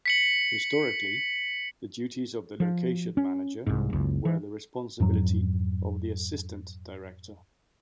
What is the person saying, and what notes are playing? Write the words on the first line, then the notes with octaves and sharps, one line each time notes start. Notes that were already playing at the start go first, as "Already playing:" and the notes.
Historically, the duties of the Location Manager were the responsibility of the Assistant Director.
B6 C#7 F#7
F3
C#4
C2 G#2
F#1 C#2
E3
F2 G#2 F#3